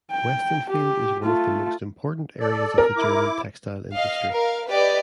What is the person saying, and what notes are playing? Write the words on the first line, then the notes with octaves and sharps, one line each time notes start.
Westenfeld is one of the most important areas of the German textile industry.
G5
G4
A3 F4
A4 D5
A#4
E4 D6
D#5 F5
A#4 F5
G4 B4 D5 D#5